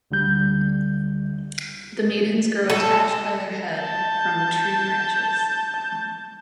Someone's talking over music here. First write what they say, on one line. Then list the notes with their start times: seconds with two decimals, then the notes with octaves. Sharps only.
The maidens grow attached by their head from the tree branches.
0.11 D2 D3 G3 G6
2.70 A4
3.75 A5 G6